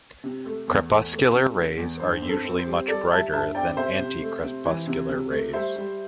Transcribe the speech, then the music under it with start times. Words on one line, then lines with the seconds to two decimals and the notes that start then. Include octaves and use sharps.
Crepuscular rays are usually much brighter than anticrepuscular rays.
0.24 C3
0.46 A3
0.68 E2
0.90 A3
1.12 A3
1.34 C3
1.55 A3
1.78 E2
2.00 G2 C5
2.22 C4
2.29 A4
2.44 C4
2.59 C5
2.67 G3
2.88 G3 A4 D5
3.11 G3 E5 A5
3.33 G2 E5 A5
3.55 C4 D5 G5
3.76 C3 C5 E5
3.99 C3
4.21 A3
4.43 C3
4.65 E3
4.87 C3
5.09 C3
5.31 A3
5.53 G3 C5 E5
5.76 G3